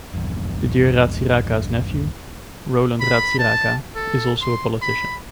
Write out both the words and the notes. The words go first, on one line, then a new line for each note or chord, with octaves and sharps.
Didier Ratsiraka's nephew, Roland Ratsiraka, is also a politician.
A#1 E2 G2
B5
A5
A4
C6
B5